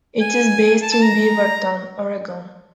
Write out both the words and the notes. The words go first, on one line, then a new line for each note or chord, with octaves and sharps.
It is based in Beaverton, Oregon.
G#5
A5
A5
A#5